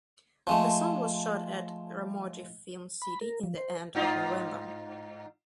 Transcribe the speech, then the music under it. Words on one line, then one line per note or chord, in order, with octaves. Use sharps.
The song was shot at Ramoji Film City in the end of November.
F3 G#3 A3
B5
A#4
F3
C5
G#2 D#4 F4